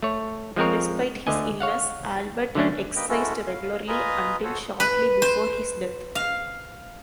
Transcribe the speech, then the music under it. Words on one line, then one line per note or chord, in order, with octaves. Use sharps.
Despite his illness, Albert exercised regularly until shortly before his death.
A3 C#5
F3 G#3 C4 A#4 C#5
D2 D3 D#5 G#5
C#5 F5 F#5
D3 F#3 A3 C#4 D4
A#3 B4 D#5 G5
G#3 A3 C#4 E4 F#4 A4
F5
F4 B4 D#5 G#5 A#5 D#6
F#4 A4 C5 C#5
B4
C5
F5